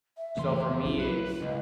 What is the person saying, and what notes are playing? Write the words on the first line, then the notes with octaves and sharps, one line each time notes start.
So for me, it's
E5
F2 C#3 E3 A3 C6
B1 E4
F#3 B4
C#2 D#5